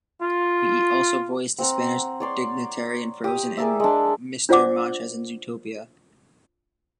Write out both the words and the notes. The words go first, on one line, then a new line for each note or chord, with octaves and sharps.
He also voiced the Spanish Dignitary in "Frozen" and Mr. Manchas in "Zootopia".
F4
C4 F#5 A#5
C#5 D5 C6
G4 D#6
G#4 A#4 D5 E5
G#3 D4
D4 F4 C5 D5 F#5 D6